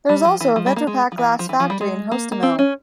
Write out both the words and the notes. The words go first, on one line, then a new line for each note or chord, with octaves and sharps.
There is also a Vetropack glass factory in Hostomel.
G3
F3
E3
F3
G3
A#3
G#3
F3
E3
F3
E3
F3
G3
G#3
A#3
A#3
C4
C#4